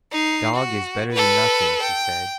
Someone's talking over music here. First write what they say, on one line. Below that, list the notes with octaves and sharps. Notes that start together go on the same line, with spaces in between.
"A dog is better than nothing," she said.
D#4 C7
F#4
A4 B4
G5